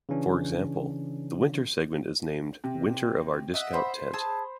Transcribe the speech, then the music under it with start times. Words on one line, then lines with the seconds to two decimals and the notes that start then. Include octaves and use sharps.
For example, the winter segment is named "Winter of Our Discount Tent".
0.09 C#3 E3 C#4 D4
2.64 C3
3.54 D#5 E5 F#5
3.73 C5 B5
4.13 G#4 A5 E6